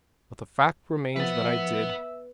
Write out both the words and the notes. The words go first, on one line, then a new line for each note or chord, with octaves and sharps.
But the fact remains that I did.
F3 B3 B4 E5 F#5 A6